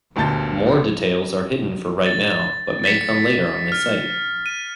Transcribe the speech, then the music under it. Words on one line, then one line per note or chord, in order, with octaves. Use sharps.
More details are hidden for right now, but may come later on this site.
G1 D2 A#2 A5 G6 A6
A6
A6 B6 C#7
F6
D#7